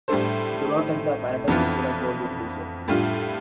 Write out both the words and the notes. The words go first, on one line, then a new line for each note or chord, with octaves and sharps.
Do not touch the apparatus before I told you to do so.
A2 G3 D4 A4 C5
F2 E3 B3 D4 F4
A2 G3 D4 F4